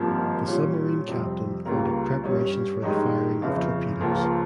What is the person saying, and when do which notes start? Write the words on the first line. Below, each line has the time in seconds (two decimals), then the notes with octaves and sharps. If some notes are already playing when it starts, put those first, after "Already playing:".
The submarine captain ordered preparations for the firing of torpedoes.
Already playing: G#1 G2 F3 A#3
0.47 A#2 G3 C#4
1.07 F2 C3 G3 C4
1.66 C#2 C#3 G3 A#3
2.24 G2 G3 C#4
2.82 G2 D#3 G#3 D#4
3.42 G1 F2 C#3
4.00 C#2 C#3 F3 A#3